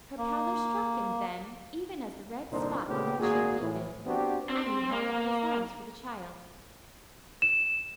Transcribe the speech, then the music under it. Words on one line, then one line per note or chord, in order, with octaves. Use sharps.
Her pallor struck him then, even as the red spot on her cheek deepened, and he held out his arms for the child.
A#3
C2 A#2 D3 D4 D#4 C5
A#2 C#3 A3 B3 G4
G#1 A#2 A#3 F#4 G#4
A2 E3
B3 C4 D4 F#4 G4
C4
A#3
E7